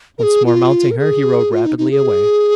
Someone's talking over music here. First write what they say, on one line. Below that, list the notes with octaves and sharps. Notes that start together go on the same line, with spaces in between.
Once more mounting her, he rode rapidly away.
A#4
G#4
F4
A#4
G#4
F4
D#4
D#4
G#4